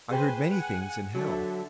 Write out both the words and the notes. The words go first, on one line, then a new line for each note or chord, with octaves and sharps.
I heard many things in hell.
G#4 B4 C5 G5 G#5
F#5 G#5
D3 F#3 A4 E5